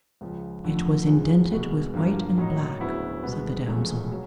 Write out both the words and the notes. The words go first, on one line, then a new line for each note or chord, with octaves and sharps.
It was indented with white and black, said the damosel.
C#2 C#3 F3
F2 D3 F3 A3
E2 C#3 F3 G#3
C2 B2 G#3 B3
G2 D3 F3 A#3
A2 F#3 A#3 D#4
D2 C#3 F#3 B3 E4
C2 B2 G#3 B3
E1 E2 C#3 F3 A3
C#3 F#3